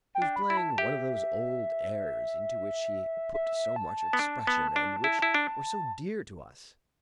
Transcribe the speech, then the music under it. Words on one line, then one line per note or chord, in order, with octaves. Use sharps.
She was playing one of those old airs, into which she put so much expression and which were so dear to us.
G5
D4
B5
E4
A5
G4 E5
E5
A5
B3
D4
B3
D4
E4
E4
D4